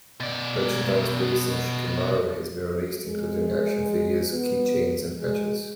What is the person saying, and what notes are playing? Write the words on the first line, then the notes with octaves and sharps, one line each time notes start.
Merchandise based on Shikamaru has been released, including action figures, key chains, and patches.
B2 D5
G#3
B3
G#3